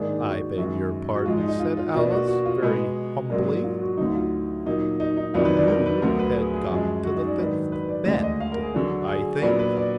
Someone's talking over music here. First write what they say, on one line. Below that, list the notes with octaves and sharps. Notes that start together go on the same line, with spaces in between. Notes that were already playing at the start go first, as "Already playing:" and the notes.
'I beg your pardon,' said Alice very humbly: 'you had got to the fifth bend, I think?'
Already playing: G#2 D#3 A#3 D4 G#4
F#4
F#2 D#3 G#3 F#4
F#4
G#2 F3 G#3 F4
D#4
D#4
F4
F4
B2 A#3 D4 F4
F#4
F#4
F4
B2 G#3 B3
G#2 F#3 A#3 D4 A#4
F4
F#4
D2 D3 F#3 D#4
F4
A#2 F#3 A#3 D#4
D#4
D#4
F2 D#3 F#3 B3 D4 F4
B4
D5
A#4
B4
D2 D3 F#3 B3 A#4
B4
G#4
G#4
F#2 F3 G#3
F#4
D#4
D5
G#2 D#3 F#3 D4 B4
B4
D5
D2 D3 G#3 D5
D#5
F5
A#4
G#4
D3 F#3 D4 F#4
G#4
A#2 F#3 B3 D4 A#4
B4
D5